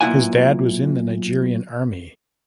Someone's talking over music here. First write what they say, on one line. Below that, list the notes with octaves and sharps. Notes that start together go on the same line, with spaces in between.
His dad was in the Nigerian Army.
B1 A#2 C#4 E4 F#5 G#5